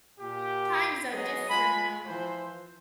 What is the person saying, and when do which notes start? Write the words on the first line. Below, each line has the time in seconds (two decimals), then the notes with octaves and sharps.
Times are different now.
0.19 A#2 G4
1.12 F#3 B3 G#4 D#5
1.50 G#3 F4 G#5 B5
2.06 E3 F3 C5